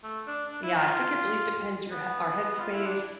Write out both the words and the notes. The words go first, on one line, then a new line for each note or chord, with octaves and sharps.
Yeah, I think it really depends your h our headspace,
A3
D4
D4
E4
F4
B3
F4
E4
D4